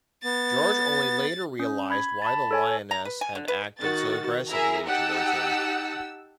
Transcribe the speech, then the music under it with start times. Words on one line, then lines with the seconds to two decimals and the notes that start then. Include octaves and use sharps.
George only later realised why the lioness had acted so aggressively towards him.
0.24 B3 A6
1.60 C#4
1.90 B5 G#6
2.22 A5 B5 A6
2.51 A4 C#5 G#5
2.91 A#5
3.05 B4
3.21 G#5
3.35 D3
3.48 B4
3.79 D#3 F#4 A6
4.48 E4 G#4 A#4 E5 A#5
4.86 D#4 G4 F#5 A5 E6